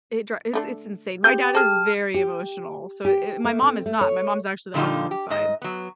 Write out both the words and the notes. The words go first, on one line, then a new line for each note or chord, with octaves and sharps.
it dri it's it's insane. My dad is very emotional. So, eh, my mom is not. My mom's actually the opposite side.
D3 A3 D4
C4 G4 G#4 G6
G#4 A4 A5 F6
G4
G4
A3
C4
A3
C#5
A#2 D3 F3 G3 D#4 F4
G4
G#2 D#5
F#3 B3